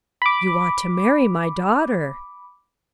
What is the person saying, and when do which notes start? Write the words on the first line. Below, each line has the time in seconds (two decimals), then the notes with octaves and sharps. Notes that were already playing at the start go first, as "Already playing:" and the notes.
"You want to marry my daughter!"
0.22 B5 D6